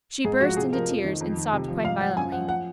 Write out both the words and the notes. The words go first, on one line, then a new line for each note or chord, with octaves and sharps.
She burst into tears, and sobbed quite violently.
G#2 G#4
F3 F#4
C3 G#4
F3 A#4
F2
D#3
F2
D#3
C3
F3
G#2 F5
F3 F#5
F#2 G#5
F3 F#5
F#5